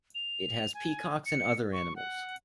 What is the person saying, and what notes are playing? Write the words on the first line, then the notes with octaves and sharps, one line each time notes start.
It has peacocks and other animals.
F7
G#5
C#7
C#6
F#5